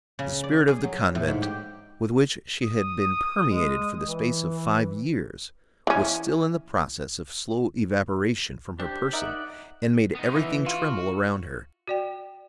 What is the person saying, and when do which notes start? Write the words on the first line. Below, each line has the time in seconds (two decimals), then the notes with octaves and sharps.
The spirit of the convent, with which she had been permeated for the space of five years, was still in the process of slow evaporation from her person, and made everything tremble around her.
0.19 C#3
0.44 D5
0.68 G#4
0.83 F#3
1.15 A2
1.28 G#2
1.42 G4
2.64 D#6
3.48 G#3
4.05 E3
5.87 E3 C#4
8.80 C4 D4 G4
9.13 D#4 A#4 D5 E5 F#5
10.15 B3 D#4
10.35 E3
10.66 F4 F#4
11.88 F#4 D5 G5